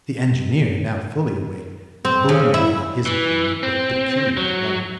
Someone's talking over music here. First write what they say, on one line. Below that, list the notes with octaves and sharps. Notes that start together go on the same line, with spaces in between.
The engineer, now fully awake, boomed out his agreement with peculiar delight.
C4
C#3
E4
E3
C4
F#3